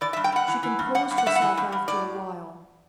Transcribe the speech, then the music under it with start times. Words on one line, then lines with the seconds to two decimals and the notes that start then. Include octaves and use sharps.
She composed herself after a while.
0.01 E3 D5
0.13 E5
0.17 G2
0.24 G5
0.32 G2 F#5
0.48 E3
0.63 E3
0.79 G2
0.95 G2 F#5
1.11 G2
1.18 F#5
1.26 G2 E5
1.36 F#5
1.42 E3
1.57 G2
1.72 G2
1.88 A2 D5